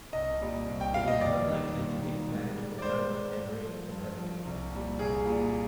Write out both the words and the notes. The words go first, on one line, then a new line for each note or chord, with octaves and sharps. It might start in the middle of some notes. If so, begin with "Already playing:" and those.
It is unlikely to date back to the time of Henry the Navigator.
C2 D#5
A#2 G3
C2
G5
A#2 G3 F5
D#5
D#2 D5
D#3 G3
D#2
D#3 G3
G#2
G3
D5
G#2 C5
G3
G2
F3
G2
F3
C2
A#2 G3
C2 G#4
A#2 G3